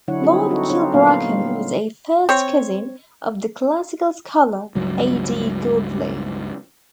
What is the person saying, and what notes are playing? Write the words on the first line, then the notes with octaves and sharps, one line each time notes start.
Lord Kilbracken was a first cousin of the classical scholar A. D. Godley.
D3 F#3 D4 E4 C#5 F#5
G3 C4 D#4 E4 F#4 G#4
C4 D#4 F#4 A4
C4 D4 D#4 F4 C#5
A#2 F#3 A#3 B3 F5
G3
C4 C#5
C#2 G2 F#3